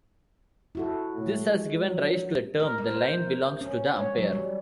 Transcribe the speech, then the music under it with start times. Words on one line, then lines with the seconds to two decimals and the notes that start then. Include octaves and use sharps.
This has given rise to the term the line belongs to the umpire.
0.75 E4 F#4 A4
1.15 A2
1.45 G#3
1.83 F#3
2.60 A#4
2.78 A#4
2.90 C5
3.61 C#4
3.96 C#5
4.18 F#3
4.33 G3